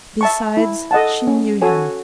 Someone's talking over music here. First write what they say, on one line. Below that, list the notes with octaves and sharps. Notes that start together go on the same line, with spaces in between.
Besides, she knew him.
E5 A5 C#6
E4
A4 D#5 F#5 A5
C#4
F#4 A4 C#5 G#5